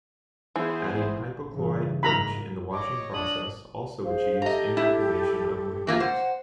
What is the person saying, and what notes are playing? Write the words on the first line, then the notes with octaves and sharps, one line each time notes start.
Adding hypochlorite bleach in the washing process also achieves inactivation of microbes.
E3 B3 G#4 C5
G2 C#3 E3
G#2 A#4 A#5 B5
C#5 D#5 D6
D4 D#6 F#7
G#4 C5 F5
G4 A4 D#5 A#5
E4
E3 A#3 F4
C5 F#5